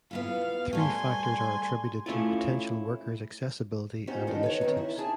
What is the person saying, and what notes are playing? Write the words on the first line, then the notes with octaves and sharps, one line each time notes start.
Three factors are attributed to potential workers accessibility and initiatives.
B3 E4 F4 F5
G3 A3 G#5 C6
A3 C#4 E4 F4
C#4 D#4 F4 G4 C5 F#5
D#2 D#3 E3 D4 A4 D#5
B4 C#5
D#3 F#3 C4 D4 D#4
E4
D4 G#4 G#5 A5